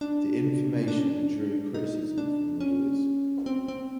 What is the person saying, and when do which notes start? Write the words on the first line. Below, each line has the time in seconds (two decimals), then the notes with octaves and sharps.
The information drew criticism from readers.
0.01 D4
0.88 D4
0.99 C#4
1.10 D4
1.74 D#4
2.18 D4
2.60 C#4
3.46 C4
3.68 C4